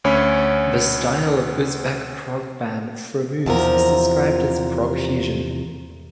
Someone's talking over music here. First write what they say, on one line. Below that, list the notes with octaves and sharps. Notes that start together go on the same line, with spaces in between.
The style of Uzbek prog band Fromuz is described as "prog fusion".
D2 C#4 C#5 B5
E2 C3 F3 A#4